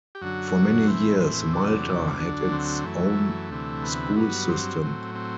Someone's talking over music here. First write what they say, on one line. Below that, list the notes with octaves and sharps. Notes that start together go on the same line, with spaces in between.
For many years Malta had its own school system.
G4
F#2 D3 F#3 F#4
A2 E3 C4
C4
E2 C3 F#3 D4
D2 D3 F#3
C4
F#2 E3 A3
D2 C3 E3
B3
G2 F#3 B3
C4
A2 F#3
C4